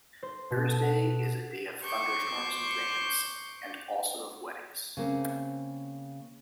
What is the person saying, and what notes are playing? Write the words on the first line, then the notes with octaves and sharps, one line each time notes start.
Thursday is a day of thunder-storms and rains, and also of weddings.
C5
B2
A4
F#5
C5 C#6 D6 G6
C#3 A#3 C4